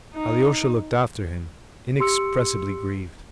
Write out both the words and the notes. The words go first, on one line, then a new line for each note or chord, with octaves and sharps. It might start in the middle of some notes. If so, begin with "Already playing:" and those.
Alyosha looked after him, inexpressibly grieved.
D#4
G4 C6 E6 C#7